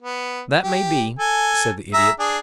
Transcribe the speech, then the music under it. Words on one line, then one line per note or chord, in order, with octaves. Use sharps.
"That may be," said the Idiot.
B3
G4
A4 G#5
G#4 E5 A#5
D4 G#4